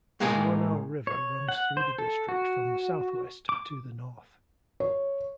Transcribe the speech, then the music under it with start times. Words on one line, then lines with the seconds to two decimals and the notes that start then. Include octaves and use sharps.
The Warnow river runs through the district from the southwest to the north.
0.20 A2 G#3 A#3 G#4 A#4 G#5
1.07 C#5
1.49 F#5
1.77 C5
1.99 A4
2.29 F#4
3.49 D6
4.80 C#5